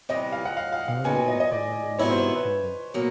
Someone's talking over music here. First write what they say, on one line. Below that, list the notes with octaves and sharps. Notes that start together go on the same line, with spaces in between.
Cowie was born in the United Kingdom.
C3 E3 G3 D#5
F5
F#5
F5
F5
F5
A#2 F#3 B3 D#4 G#5
G#5
D#5
D#5
D5
C3 D#3 F#3 B3 E4 C#5
C5
B4
B2 F#3 A#3